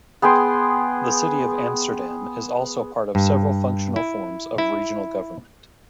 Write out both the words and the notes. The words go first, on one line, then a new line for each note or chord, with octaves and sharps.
The city of Amsterdam is also part of several functional forms of regional government.
B3 G#4 G5 C6
G2
E4
E4